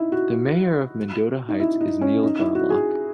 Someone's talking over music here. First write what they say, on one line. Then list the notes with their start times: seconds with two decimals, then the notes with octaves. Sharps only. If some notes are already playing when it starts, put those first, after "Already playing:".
The mayor of Mendota Heights is Neil Garlock.
Already playing: D#4 E4
0.12 F#4
1.49 D#4
1.60 E4
1.81 D#4
2.01 C#4
2.23 D#4
2.39 E4
2.55 F#4
2.70 G#4